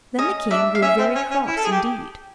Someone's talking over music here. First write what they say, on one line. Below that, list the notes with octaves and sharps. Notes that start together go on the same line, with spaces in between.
Then the king grew very cross indeed.
C#4 D#5
D4 E5
F5
C#4 E5
C4
C#4
C#4
E4
A4
G#4
G4